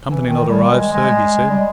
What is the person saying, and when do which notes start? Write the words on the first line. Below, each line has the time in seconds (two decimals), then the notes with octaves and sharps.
"Company not arrived, sir," he said.
0.09 E3
0.27 D#3
0.48 G3
0.70 G#3
0.93 G#3
1.50 G3